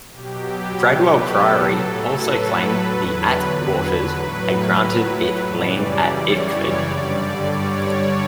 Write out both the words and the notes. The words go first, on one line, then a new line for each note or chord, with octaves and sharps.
Bradwell Priory also claimed the atte Waters had granted it land at Ickford.
B2 F#3 G4
B4
A4
A2 F#3
B4
E2 D3 F#3
B4
A2 F#3
F#2 C#3 E3 G3 D5
C#5
G2 D3 G3 D5
C#5